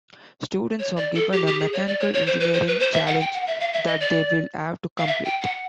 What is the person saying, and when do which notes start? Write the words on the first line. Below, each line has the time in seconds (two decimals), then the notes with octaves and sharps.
Students are given a mechanical engineering challenge that they will have to complete.
0.79 C#5
0.97 D5
1.15 A4
1.33 G4
1.47 G4
1.60 G#4
1.73 C#5
1.87 D5
2.00 C#5
2.13 C#5
2.26 C5
2.40 B4
2.53 C5
2.67 B4
2.80 C5
2.93 E5
3.07 F#5
3.20 G5
3.34 F#5
3.47 E5
3.60 F5
3.73 E5
3.87 D#5
4.00 D5
4.98 F5
5.07 E5
5.25 G5
5.42 F#5